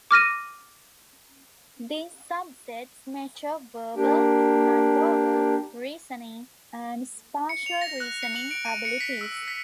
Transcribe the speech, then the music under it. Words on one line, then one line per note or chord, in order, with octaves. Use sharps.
These subtests measure verbal, nonverbal reasoning, and spatial reasoning abilities.
D6 F6 A#6 D#7
A#3 D4 G4
C#7
F7
A#6
F#6
C#7
F#7
D7
D#7
C#7
B6
E6
B6